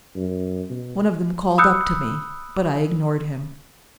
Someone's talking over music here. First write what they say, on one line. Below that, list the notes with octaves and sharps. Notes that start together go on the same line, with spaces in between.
One of them called up to me, but I ignored him.
F#2
B2
B5 D#6 E6 F#6 G6 C#7